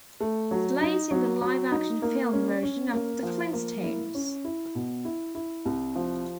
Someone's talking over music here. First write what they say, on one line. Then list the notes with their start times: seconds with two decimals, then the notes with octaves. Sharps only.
Slate in the live-action film version of "The Flintstones".
0.20 A3
0.51 F#3
0.81 D#4
1.11 F#3
1.41 F#3
1.71 D#4
2.02 A#3
2.33 C#4
2.63 C#4
2.94 A#3
3.23 F3
3.53 A#3
3.83 E4
4.15 C#4
4.45 E4
4.75 B2
5.05 E4
5.35 E4
5.65 C2
5.95 F3